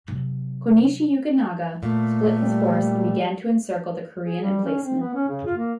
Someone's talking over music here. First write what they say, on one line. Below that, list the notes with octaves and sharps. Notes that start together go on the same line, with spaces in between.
Konishi Yukinaga split his force and began to encircle the Korean emplacement.
C3 F#3
A#2 A3
G3
G#4
G3
C#4
C4
B3
C#4
C#3
F4
A#3